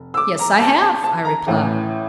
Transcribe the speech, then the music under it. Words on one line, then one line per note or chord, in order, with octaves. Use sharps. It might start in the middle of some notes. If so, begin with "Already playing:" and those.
"Yes, I have," I replied.
Already playing: F1
E6
D6
A#5
A5
A5
A5
A#5
A1 A2 E3